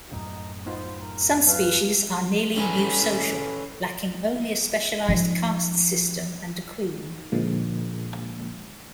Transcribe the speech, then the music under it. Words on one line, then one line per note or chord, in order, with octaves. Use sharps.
Some species are nearly eusocial, lacking only a specialized caste system and a queen.
F#2 A2 D#4
B3 D#4 F4 C5
A#4
F#3 B4 F5
C#4 A4 B4 G#5
F3 D#4
A#2 D3 F3 G#3 A#3